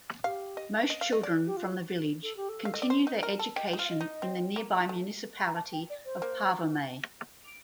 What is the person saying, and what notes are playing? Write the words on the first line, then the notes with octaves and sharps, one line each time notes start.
Most children from the village continue their education in the nearby Municipality of Parvomay.
G4 F5
D#5
D#5
F5
D#5
D5
G4
F4
A4
G4
A4
F5
D#5
D5
C5
D#4
A#4
A4
G4 D#5
D#4
F4
F5
D#5
D#4
C4
A#3
A3
A#5
A5
G5
D5
C5
A#3